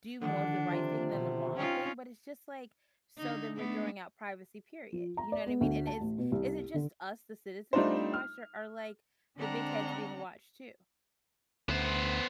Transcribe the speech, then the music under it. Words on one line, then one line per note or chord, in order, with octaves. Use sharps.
do more of the right thing than the wrong thing, but it's just like so then we're throwing out privacy, period, you know what I mean? And is is it just us- the citizens- being watched, or are, like, the big heads being watched too?
D3 D#3 F3 D4 F#5
C3 F4
B2
C#4 D#4 F4 G5
D3 D#4
A3 B3 D4
F3
A#5
D5
B3
D2
A5
A1
B2
C2
D3
G3 A3 D4 D#4 F4 C5
F6
D3 G#3 C4 D4 F#5 A#5
D2 B3 C5